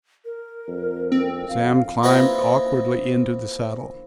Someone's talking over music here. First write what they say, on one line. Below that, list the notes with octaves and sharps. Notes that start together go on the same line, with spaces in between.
Sam climbed awkwardly into the saddle.
A#4
F2
C4
F2 F5
A#3 C4 E4 F4 B4 D#5